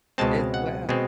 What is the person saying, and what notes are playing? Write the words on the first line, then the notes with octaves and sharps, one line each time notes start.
as well.
C#2 B2 G#3 C4 A5
F#5
B2 G#3 C4